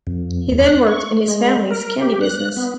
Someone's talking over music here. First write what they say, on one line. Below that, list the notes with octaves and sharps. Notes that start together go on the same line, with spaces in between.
He then worked in his family's candy business.
F2
E2
F#6
C#6
G#3
A#4
G4
F#6
B3